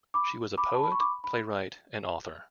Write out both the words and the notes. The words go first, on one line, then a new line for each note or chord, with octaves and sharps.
She was a poet, playwright and author.
B5 D6
B5 D6
A5
B5
C#6
B5 D6
B5